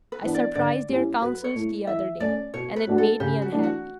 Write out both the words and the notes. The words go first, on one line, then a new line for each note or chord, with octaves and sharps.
I surprised their councils the other day, and it made me unhappy.
B4
E3 B3 D4
D5
D3 D5
G3 C#4 E4
F#3 B4
C#5
A3 E4
E3 E5
A3 C#4 D5
B2 C#5
B4
F#3 A3 D4 F#4
A4
C#3 G4
F#4
E3 A3 D4
F#4